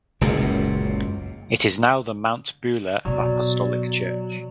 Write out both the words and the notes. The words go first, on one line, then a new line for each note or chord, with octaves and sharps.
It is now the Mount Beulah Apostolic Church.
F#1 C#2 F#2 A#2
B2 F#3 B3 D5